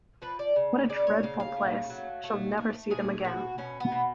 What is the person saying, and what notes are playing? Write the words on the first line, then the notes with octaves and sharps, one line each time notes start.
What a dreadful place; I shall never see them again!
F3 B4
D5
C#3
C#3 D5
C#5
C#3 F5
F5
A3
F#3
A3
A3
G#3 G#4
B2 F#4
B2 C#4
B3
B2